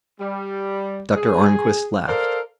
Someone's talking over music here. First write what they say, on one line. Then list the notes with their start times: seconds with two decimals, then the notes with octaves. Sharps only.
Dr. Arnquist laughed.
0.20 G3
1.16 G#4
2.08 A4 A#4 C5 D5 F5 A#5